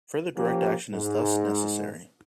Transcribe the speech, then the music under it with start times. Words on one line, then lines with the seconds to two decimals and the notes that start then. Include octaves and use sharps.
Further direct action is thus necessary.
0.37 F3 A#3 C#4 G4
0.91 G#2